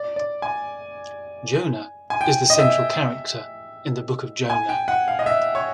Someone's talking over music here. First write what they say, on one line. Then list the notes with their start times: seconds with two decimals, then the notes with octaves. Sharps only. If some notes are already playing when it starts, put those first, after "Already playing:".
Jonah is the central character in the Book of Jonah.
Already playing: D5
0.16 D5
0.42 G#5
2.10 G#5
2.21 G5
2.50 D#5
2.59 E5
4.50 G#5
4.69 G5
4.88 F#5
5.08 F5
5.19 D#5
5.26 E5
5.55 C#5